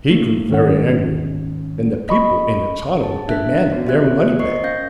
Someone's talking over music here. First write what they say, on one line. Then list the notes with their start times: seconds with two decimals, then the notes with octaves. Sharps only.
He grew very angry, and the people in the tonneau demanded their money back.
0.11 A3 A#3
0.49 G#2 D#3 C#4 F#5
2.09 D#5 B5 C#6
3.02 G#4 A5
3.28 D4 E5 F#6 B6
3.72 B3 F#4 D5
3.86 F4 G4 G#4 E5 F#6 G#6
4.39 A#4 C5 D#5 C#6 C7 C#7
4.63 C#4 F5 G6 A#6